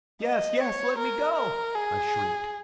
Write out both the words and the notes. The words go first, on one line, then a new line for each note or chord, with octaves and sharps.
'Yes, yes! let me go,' I shrieked.
D#5
C#5
A#4
A#4
G#4